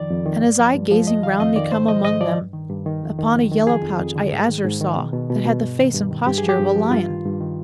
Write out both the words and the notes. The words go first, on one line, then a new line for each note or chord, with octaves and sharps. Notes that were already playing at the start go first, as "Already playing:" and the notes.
And as I gazing round me come among them, Upon a yellow pouch I azure saw That had the face and posture of a lion.
Already playing: F2 D#3 F3 D5
F2
D#3
G2
F3
G2
F3
F2 D#5
D#3 F5
F2 D#5
D#3 D5
G#2 C5
F3 D#5
G#2 D#5
F3 D5
G2
D#3
G2
D#3
F2
D#3
F2
D#3
F3 G#4
F2
F2
D3
G#2
D#3
G#2
D#3
B2
B2
B2
B2
G2
D#3
G2
D#3
G2 G4
G#4
F3
G4
G2
F3
G2 F4
D#3
G2
D#3